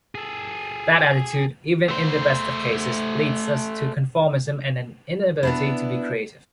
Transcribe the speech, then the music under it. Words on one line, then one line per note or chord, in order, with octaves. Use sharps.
That attitude, even in the best of cases, leads us to conformism and an inability to be creative.
G#4 A4
A3 C5
B3 D4 E4